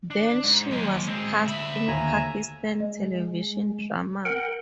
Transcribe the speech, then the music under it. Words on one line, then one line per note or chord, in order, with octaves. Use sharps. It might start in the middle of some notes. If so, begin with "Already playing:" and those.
Then she was cast in Pakistan television dramas.
D4
G#2
D#2 F#3 D#5
G#3 C4 G#4
D2 E5 B5
D#2 G#5 A#5
G#3
A#4 F#5 G5